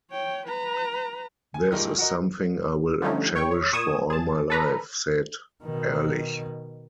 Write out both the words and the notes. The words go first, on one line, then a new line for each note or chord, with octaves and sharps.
"This is something I will cherish for all of my life," said Erlich.
C#5 G5
B4 A#5
G#5
G2 A#2 D#3 G#3 D#4 G4
F#4 A#4 D#5
D3 F3 G3 A3 C#4 D#4
C#5 G5 C#6
C#5
A#2 C#6 D#6 G#6 E7
G#4 A5
A4 B4 A#5
B2 D#3